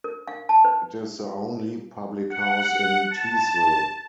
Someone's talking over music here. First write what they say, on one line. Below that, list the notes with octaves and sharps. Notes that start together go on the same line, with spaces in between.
It is the only public house in Teesville.
A#4
F5
A5
B4
F#5
A5